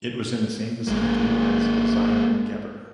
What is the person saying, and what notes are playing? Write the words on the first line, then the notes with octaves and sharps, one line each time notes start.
It was in the same vicinity as Ezion-Geber.
G#1 G#3 A#3